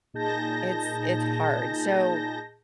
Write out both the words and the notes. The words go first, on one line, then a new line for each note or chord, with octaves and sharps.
It's it's hard. So
A#2 D#4 G#4 A5 G6 A#6